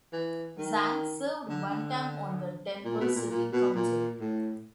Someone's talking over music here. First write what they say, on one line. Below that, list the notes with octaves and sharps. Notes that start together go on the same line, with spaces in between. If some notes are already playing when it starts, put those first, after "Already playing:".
Zang served one term on the Denver City Council.
E3
D#3
D3
D3
A#2
B2
A#2
A#2
B2
A#2
A2